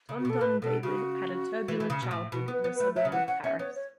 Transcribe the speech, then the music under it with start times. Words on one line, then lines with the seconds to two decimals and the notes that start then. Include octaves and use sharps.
Tonton David had a turbulent childhood in a suburb of Paris.
0.09 C#3
0.19 F#4
0.25 B2 A4
0.41 A2 B4
0.62 B2 A4
0.83 C#3 F#4
1.68 E3
1.80 E3
1.90 C#3
2.02 B2
2.11 A2
2.32 B2 F#4
2.48 B3 B4
2.64 B3
2.74 B4
2.80 A3
2.96 F#3 E5
3.05 C#3
3.12 E3 F#5
3.28 C#4 F#5
3.44 C#4 E5
3.59 B3 C#5
3.75 C#5